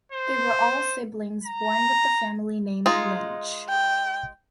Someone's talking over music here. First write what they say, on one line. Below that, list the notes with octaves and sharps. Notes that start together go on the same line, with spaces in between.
They were all siblings born with the family name Lynch.
C5
A#5
G#3 D#4 F4
G5